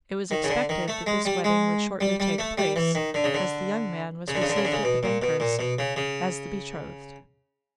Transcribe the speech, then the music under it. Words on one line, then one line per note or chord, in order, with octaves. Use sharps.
It was expected that this wedding would shortly take place, as the young man was received at the banker's as the betrothed.
D#3
C#3
D3
D#3
A3
G#3
G3
G#3
G3
G3
A3
G3
E3
D#3
D3
C#3
D3
C#3
D3
C#3
D3
C#3
D3
C#3
B2
A#2
B2
A#2
B2
C#3
C#3